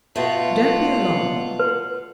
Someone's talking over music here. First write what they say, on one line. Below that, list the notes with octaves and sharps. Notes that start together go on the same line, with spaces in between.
Don't be alarmed.
B2 A3 F4 F#5
B4